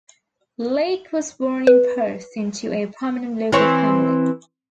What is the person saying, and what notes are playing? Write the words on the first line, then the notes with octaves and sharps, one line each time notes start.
Leake was born in Perth, into a prominent local family.
B4
E3 C4 C#5